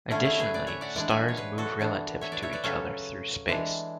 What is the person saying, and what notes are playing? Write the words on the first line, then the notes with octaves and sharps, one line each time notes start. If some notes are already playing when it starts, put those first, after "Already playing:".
Additionally, stars move relative to each other through space.
D3 A3 C#4 E4 G#4
E4
G#4 B4
B4 D5
C#5 E5
D5 F#5
E3 G#3 B3 D4 D5 F#5
E5 G#5
C#5
G#4 B4
F#4 A4
E3 B3 D4
C#5 E5
B4 D5
C#5 E5
B4 D5
C#3 F#3 C#4 A4 C#5
E3 G#3 D4